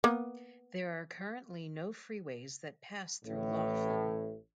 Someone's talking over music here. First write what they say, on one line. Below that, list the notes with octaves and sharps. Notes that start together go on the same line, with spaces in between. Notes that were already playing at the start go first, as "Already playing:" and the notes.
There are currently no freeways that pass through Laughlin.
A#3 B3
A1 A2